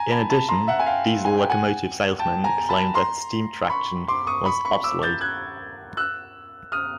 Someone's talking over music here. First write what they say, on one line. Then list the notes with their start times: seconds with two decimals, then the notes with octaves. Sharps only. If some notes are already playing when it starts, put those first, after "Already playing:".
In addition, diesel locomotive salesmen claimed that steam traction was obsolete.
Already playing: G#5 A#5
0.11 A5 B5
0.30 A5 B5
0.48 A#5 C6
0.67 E5 F#5
0.79 G#5
0.86 F5 G5
1.25 G#5
1.37 G5
1.50 F#5 G#5
2.19 G5 A5
2.44 G#5 A#5
2.69 A5 B5
2.94 A#5 C6
3.70 B5 C#6
4.08 C6 D6
4.27 C#6 D#6
4.45 B5 C#6
4.65 B5 C#6
4.83 D6 E6
5.02 G6 A6
5.21 F#6 G#6
5.97 E6 F#6
6.72 D#6 F6